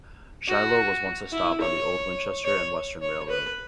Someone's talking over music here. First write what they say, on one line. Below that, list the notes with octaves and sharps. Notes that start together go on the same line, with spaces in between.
Shiloh was once a stop on the old Winchester and Western Railroad.
F#4
E4
C#5
C#5
C#5
B4